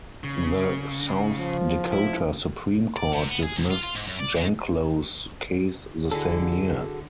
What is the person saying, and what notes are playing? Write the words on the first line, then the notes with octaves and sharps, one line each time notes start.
The South Dakota Supreme Court dismissed Janklow's case the same year.
C#3
F3
E4
D5
C3
B3
G#4
C2
F4
F4
G#2
F#2
D5
D#3
D3 E4 F#4 G#4 A4